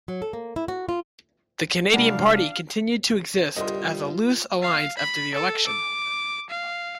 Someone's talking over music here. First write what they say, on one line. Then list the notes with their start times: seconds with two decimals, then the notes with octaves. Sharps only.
The Canadian Party continued to exist as a loose alliance after the election.
0.08 F#3
0.22 A4
0.33 A#3
0.56 E4
0.68 F#4
0.89 F4
1.94 C3 G#3 D4 F4 F5 F#5
3.57 G1 C2 G3 F4 D#5 C6
4.62 F5
4.98 B5
5.35 A4
5.67 D6
6.50 F5